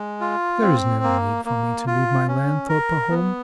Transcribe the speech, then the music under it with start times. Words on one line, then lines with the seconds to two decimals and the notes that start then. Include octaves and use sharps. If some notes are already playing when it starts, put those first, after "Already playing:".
"There's no need for me to leave my land," thought Pahom.
Already playing: G#3
0.21 F4
0.62 C4
1.03 A#3
1.45 A#3
1.87 F4
2.28 C#4
2.69 A#4
3.10 B3